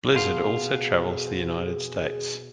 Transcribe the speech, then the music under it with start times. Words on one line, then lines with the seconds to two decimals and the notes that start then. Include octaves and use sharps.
Blizzard also travels the United States.
0.15 B2 F4 G#4